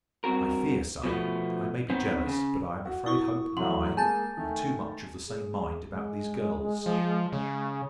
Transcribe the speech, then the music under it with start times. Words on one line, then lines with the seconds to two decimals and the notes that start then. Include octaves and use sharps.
I fear so,--I may be jealous,--but I am afraid Hope and I are too much of the same mind about these girls.
0.24 G2 C4 F#4 A#4
1.04 B2 F3 A3 B3
1.90 D#3 B3 C4
2.26 C#3
2.85 F#4
3.06 E4 C#6 D#6 G7
3.57 E3 F#3 A3 F#5 C6 F#7
3.97 G#3 A#3 G#5 A5 G6 A6
4.37 D#3 A3
5.26 G#4
5.89 G#3
6.86 F3
7.32 C#3